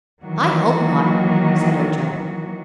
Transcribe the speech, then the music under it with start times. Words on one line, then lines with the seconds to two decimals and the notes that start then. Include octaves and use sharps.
"I hope not," said Ojo.
0.23 D#3 E3 F#3 A#3 F#4